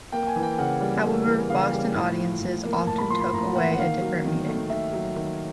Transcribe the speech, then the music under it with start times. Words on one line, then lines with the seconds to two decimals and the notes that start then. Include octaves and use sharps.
However, Boston audiences often took away a different meaning.
0.12 A#3 G5
0.27 G#5
0.36 E3
0.43 G5
0.58 C#3 F#5
0.81 G3
1.03 A#3
1.26 E3
1.50 C#3 F5
1.73 G3
1.95 A2
2.19 F3
2.41 A2
2.65 A#3
2.86 A2 A5
2.98 B5
3.10 F3 C6
3.21 B5
3.33 A2 A#5
3.56 A#3 F#5
3.72 F#5
3.79 D#3 F5
4.01 F#3
4.25 D#3
4.48 A3
4.70 D#3 E5
4.93 F#3
5.15 D#3